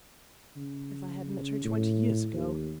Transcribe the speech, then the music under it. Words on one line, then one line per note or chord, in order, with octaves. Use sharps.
If I had met her twenty years ago!
C#3
A2
D#2